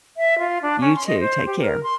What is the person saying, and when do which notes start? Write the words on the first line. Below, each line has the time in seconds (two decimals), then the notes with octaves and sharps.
You too, take care.
0.17 E5
0.39 F4
0.62 D4
0.81 C#4
0.95 C6
1.07 D#5
1.20 C5
1.46 G4
1.61 A#4
1.83 C6